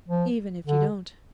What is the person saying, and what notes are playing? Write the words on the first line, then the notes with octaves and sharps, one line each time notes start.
Even if you don't.'
F3
D3